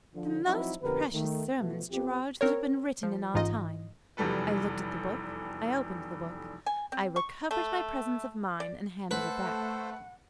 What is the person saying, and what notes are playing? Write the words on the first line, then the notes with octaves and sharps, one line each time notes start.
"The most precious sermons, Gerard, that have been written in our time." I looked at the book; I opened the book; I recovered my presence of mind, and handed it back.
D3 F3
F3 F#3 C4 D#4 E4 F#4
F2 B2 D3 G4 A#4 B4
D#3 A3
B2 F3 A3
F2 G4
C4 A#4 C#5
F3
A1 G#2 D#4 F4 D#5
F1 E2 F#3 G3 A4 B4
G#5
C4
C#6
A3
D5
A3 A4 B4 C5 F#5